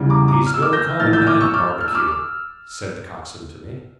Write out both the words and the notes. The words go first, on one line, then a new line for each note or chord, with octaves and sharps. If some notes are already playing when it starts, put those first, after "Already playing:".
"He's no common man, Barbecue," said the coxswain to me.
Already playing: E2 C#3 E3 G3
A#5 D6
A#5 D6
F6
E6
D6 F6
G6 A#6
A#1 A2 E3 F6 A6
E6 G6
D6 F6
C#6 E6
D6 F6
F6
E6
D6 F6
D6